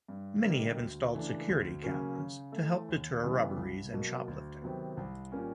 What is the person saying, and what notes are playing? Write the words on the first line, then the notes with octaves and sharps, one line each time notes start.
Many have installed security cameras to help deter robberies and shoplifting.
G2
D3 G3 A#3 D#4
D2
C#3 E3 A3 D4
D2
C#3 F#3 A#3 C#4
C#3
A3
E3
D#2
C#3 E3 G3 B3
C2
B2 F#3 A#3
D2
C3 D#3 F#3 B3
C2
A#2 G3 A#3 C#4